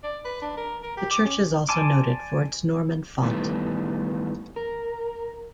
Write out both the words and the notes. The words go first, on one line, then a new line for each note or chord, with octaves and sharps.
The church is also noted for its Norman font.
D5
B4
D4
A#4
A#4
G4
D6
C#4
D5 G#5 A5 C6 D6
D#3 E3 G3 A3 B3
A#4